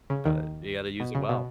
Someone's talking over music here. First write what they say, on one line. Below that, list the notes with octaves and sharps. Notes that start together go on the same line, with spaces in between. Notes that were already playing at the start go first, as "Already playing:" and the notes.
but you gotta use it well,
C#3
D#2 D#3
B2
C#3
B2